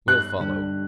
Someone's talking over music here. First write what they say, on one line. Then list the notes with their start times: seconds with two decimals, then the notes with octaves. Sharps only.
We'll follow.
0.07 G2 F#6
0.40 D3 G3 D4 G4